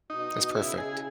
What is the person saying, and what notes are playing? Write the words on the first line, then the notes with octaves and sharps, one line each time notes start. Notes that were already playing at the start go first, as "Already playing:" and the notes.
That's perfect.
B2 D#4
B2
C#3 E4
C#3 G#4